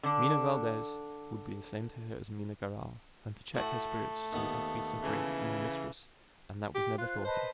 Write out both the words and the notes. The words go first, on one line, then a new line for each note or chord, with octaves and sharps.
Minha Valdez would be the same to her as Minha Garral, and to check her spirits she would have to be separated from her mistress, and that was never thought of.
D3 D4
A2 A3 F#4
D#2 B3
C#3 E3
G4
F4 C5 F#6
B4 C5 D#5 A5